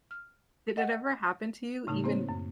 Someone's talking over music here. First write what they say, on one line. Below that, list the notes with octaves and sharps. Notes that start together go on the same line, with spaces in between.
did it ever happen to you, even
F6
D#5 F#5 G5
A2 C#3 A3 D#4
A#3 C4 C5 C#5
F#2